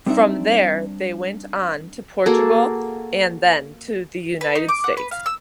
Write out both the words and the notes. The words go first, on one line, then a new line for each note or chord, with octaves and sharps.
From there they went on to Portugal and then to the United States.
G3 C4 D4 D#4 C5 E5
A#3 F#4 G#4 A4
B4
D#4
D6
F#5
B4
F5
E6